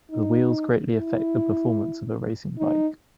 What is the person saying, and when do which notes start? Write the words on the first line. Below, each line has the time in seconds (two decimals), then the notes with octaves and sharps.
The wheels greatly affect the performance of a racing bike.
0.11 D#4
0.93 E4
2.58 D#4